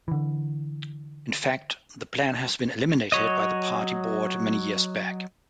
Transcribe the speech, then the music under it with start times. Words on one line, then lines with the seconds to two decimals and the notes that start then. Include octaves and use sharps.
In fact, the plan has been eliminated by the party board many years back.
0.08 D3 E3
3.12 F#3 C#5 D#5